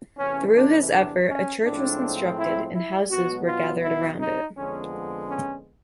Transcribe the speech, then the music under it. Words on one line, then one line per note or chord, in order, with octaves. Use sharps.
Through his effort, a church was constructed and houses were gathered around it.
E2 C3 E3 A3 C#4
D4
D4
C#4
A2 F3 G#3 C4 D4
E4
E4
B2 F#3 B3 F#4
F4
E4
D#4
F2 D3 F3 G#3 B3 C#4
C#4